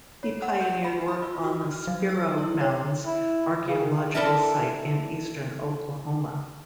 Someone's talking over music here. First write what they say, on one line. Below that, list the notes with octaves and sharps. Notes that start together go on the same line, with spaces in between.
He pioneered work on the Spiro Mounds archaeological site in eastern Oklahoma.
C#5
F#5
G6
B5
B5
F4
F#4
F6
F#3
E6
E4
C#5
E4
C#3
D4 E4 A4 A#4 E5 A5